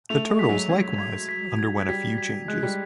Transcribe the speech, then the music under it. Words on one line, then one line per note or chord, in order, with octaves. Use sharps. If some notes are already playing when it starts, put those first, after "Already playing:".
The Turtles, likewise, underwent a few changes.
A3 F7
G#3
B6
F#3
F#3 G#6
G#6
B6
G#6
G3 B6
B6
G#3 F#6
G3